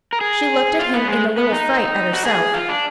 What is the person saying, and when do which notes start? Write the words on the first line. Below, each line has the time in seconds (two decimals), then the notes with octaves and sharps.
She looked at him in a little fright at herself.
0.13 A#4
0.21 G#4
0.79 F4
0.94 B3
1.08 G#3
1.38 B3
1.52 D#4
2.13 F#4
2.25 G#4
2.54 F4
2.69 D4